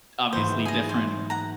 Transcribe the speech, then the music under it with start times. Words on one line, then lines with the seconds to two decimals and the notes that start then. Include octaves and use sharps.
obviously different
0.33 G#2 E3 F#3 C5
0.65 G#4 D#5
0.89 C5
1.30 F#5 A#5